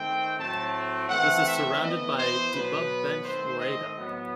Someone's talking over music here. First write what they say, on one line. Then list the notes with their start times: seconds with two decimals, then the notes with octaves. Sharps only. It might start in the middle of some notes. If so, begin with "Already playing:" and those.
This is surrounded by Debub Bench woreda.
Already playing: D#3 A3 C4 G5
0.36 A2 F#3 A3 C4 A5
1.08 E3 A3 C4 F#5
1.45 E5
1.80 E3 B3 D#5
2.15 C5
2.52 B2 F#3 B3 B4
3.24 D#3 A3 C4 C5
3.59 D#5
3.95 A2 F#3 B3